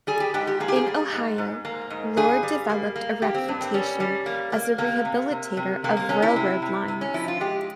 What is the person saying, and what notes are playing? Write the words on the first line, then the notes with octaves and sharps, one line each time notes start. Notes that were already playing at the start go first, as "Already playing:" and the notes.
In Ohio, Lord developed a reputation as a rehabilitator of railroad lines.
G3 G#4
G4
G#2 G4
G4
A#3 G#4
G4
G#4
G3
G#2
G#2
A#3
G#2
G2 G#4
G3
A#3
A#3
A#3 G4
C4
G2
C4
G3 C#4
G3
A#3
A#3
C3 A#3
C3
C3
C3
C3 A#3
A#3
C3 C#4
E4
C3
C3
C3
C#4
F3 E4
F4
G#3 G4